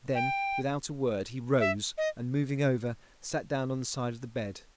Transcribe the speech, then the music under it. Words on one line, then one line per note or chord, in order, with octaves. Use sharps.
Then, without a word, he rose and moving over, sat down on the side of the bed.
G5
E5
D#5